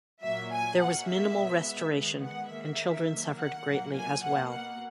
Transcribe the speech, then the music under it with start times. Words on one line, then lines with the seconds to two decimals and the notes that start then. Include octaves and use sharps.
There was minimal restoration and children suffered greatly as well.
0.23 A#2 F#3 A#3 E5
0.52 G#5
0.81 B2 F#3 A#3 F#5
1.08 E5
1.38 B2 G#3 B3
1.94 D#3 G#3 B3
2.23 F#5
2.51 D#3 A#3 E5
3.08 D#3 F#3 A#3
3.37 F#5
3.66 A#2 F#3 A#3
3.94 G#5
4.23 B2 A#3 F#5
4.51 F#5